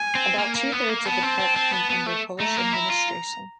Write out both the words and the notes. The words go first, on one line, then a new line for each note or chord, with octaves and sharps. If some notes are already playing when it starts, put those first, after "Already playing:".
About two thirds of the park came under Polish administration.
Already playing: G#5
C4
A#3
A#3
B3
A#3
B3 A5
C4
C4
C4
B3
B3
A3
A3 A#5
A#3
E4
F4